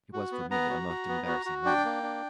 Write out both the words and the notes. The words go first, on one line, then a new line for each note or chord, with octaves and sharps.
It was for me a most embarrassing moment.
F#4
B3
B3 A#5
F#4
F#4
B3
F#4
F#4
D4 G5
A#3
D4